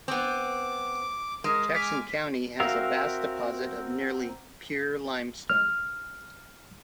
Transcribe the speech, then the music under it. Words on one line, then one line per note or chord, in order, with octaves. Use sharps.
Jackson County has a vast deposit of nearly pure limestone.
B3 C4 D6
G#3 A#4
G#5 D6 F6 B6
C4 F#4 A#4 E5 F5
F6